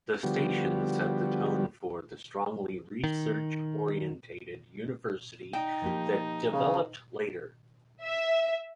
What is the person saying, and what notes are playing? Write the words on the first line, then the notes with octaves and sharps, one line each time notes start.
The station set the tone for the strongly research-oriented university that developed later.
D3 F3 G3 B3 F#4 G4
D#3
D#4 G5
F3 A#3 G4
C#3
E5